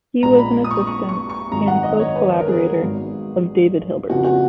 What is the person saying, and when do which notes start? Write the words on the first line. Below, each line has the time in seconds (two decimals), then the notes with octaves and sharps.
He was an assistant and close collaborator of David Hilbert.
0.23 A#1 A#2 G#3 B3 A#5
0.38 B5
0.64 D#6
0.71 C#6
0.87 C#6
1.09 C#6
1.29 C#6
1.51 G#1 F#2 D#3 G#3 A#5
1.68 F#5
1.83 D#5
1.99 C#5
2.15 B4
2.40 A#4
2.48 G#4
2.81 G#1 G#2 F#3 B3
4.09 F2 C#3 F3 A#3 F#4
4.24 F#4